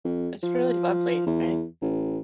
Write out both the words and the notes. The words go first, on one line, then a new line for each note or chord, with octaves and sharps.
It's really lovely, right?
F2
F3
E2
A1